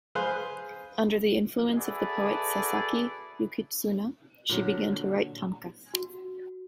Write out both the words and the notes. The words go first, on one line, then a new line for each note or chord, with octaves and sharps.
Under the influence of the poet Sasaki Yukitsuna, she began to write tanka.
G#4 B4 C5 F5 G#5 F#6
F#4 G#4 A4 B4 D5 E5
A#2 D3 F#3
F#4